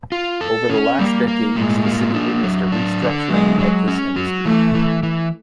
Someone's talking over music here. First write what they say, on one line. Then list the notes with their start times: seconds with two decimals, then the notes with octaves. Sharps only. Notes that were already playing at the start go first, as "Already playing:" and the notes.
Over the last decades the city witnessed a restructuring of this industry.
0.12 F4
0.41 A4
0.70 C#4
0.98 G3 A#3
1.28 A#3
1.56 A2 G#3
1.85 A#3
2.14 D4
2.43 F#3
2.72 D4
3.01 D3
3.30 F#3 G#3
3.59 F#3
3.88 C#4
4.16 F#3
4.45 E3 A3
4.74 E3
5.03 E3